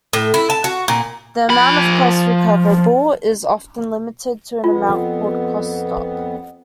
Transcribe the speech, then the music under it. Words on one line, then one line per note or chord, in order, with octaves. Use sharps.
The amount of costs recoverable is often limited to an amount called "cost stop".
A2
E4
A5
F#4
A#2
F3 B5
F2 B3 F4